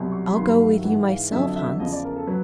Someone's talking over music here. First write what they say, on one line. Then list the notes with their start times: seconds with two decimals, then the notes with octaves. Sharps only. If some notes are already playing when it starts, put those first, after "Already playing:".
'I'll go with you myself, Hans.'
Already playing: C2 B2 F#3
0.12 C#6
0.27 B5
0.36 G2 D#3 F#3 C6
0.48 B5
0.60 F5
0.72 E5
0.83 G#2 E3 F#5
1.08 F5
1.32 F2 D3 F#3 E5
1.56 E5
1.80 E2 C#3 F3 D#5
1.92 D5
2.04 A#4
2.16 A4
2.27 F#3 B4